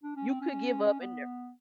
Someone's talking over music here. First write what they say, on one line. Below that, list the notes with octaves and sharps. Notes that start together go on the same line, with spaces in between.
you could give up and, uh
D4
C#4
C4
C#4
B3